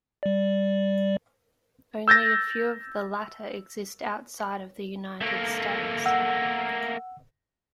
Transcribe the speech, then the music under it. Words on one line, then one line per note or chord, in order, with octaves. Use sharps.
Only a few of the latter exist outside of the United States.
G3 D5
E6 G6 A6 A#6
A3 A#3
F#5 E6